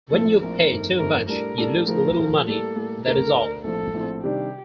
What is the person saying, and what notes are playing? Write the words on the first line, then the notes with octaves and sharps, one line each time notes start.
When you pay too much, you lose a little money - that is all.
A#1 A2 F3 C4 A4
A#1 A2 F3 C4 A#4
G1 F2 D#3 A3
G1 F2 D#3 A3 A#4
A2 G3 D4 A4 A#4
A2 G3 D4 A4
A2 F3 A3 A#4
A2 F3 A3
A2 G3 A#3 A4
A2 G3 A#3
D2 D3 A3 D4 A#4
D2 D3 A3 D4
A#1 A2 F3 C4 A4
A#1 A2 F3 C4
C3 D#3 G3 D4 G4